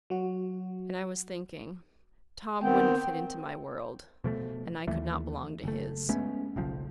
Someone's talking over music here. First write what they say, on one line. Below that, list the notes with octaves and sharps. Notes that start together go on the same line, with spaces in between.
And I was thinking--Tom would n't fit into my world, and I could not belong to his.
F#3 F#4
D#3 B3 C4 G5
B2 F3 A3
D#2 E3 A3
F#1 A3
G#3 A3 B3 C#4
F#1 B1 F3